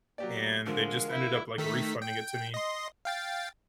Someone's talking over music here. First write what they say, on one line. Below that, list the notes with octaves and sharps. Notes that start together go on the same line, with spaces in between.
and they just ended up, like, refunding it to me
F#3 A#3 G4 D5
D3 F3 G#3 A#4 F5
E4
D#3 A3 B6
G5
D#5 C6
F5 G5 A6